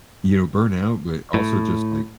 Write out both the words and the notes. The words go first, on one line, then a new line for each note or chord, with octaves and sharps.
You know, burnout, but, also just like
A2